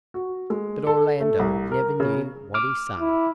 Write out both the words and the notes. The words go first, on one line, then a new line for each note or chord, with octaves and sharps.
But Orlando never knew what he sang.
F#4
G#3
A4
A3
C2
A#4
C#3
D6 F6
E4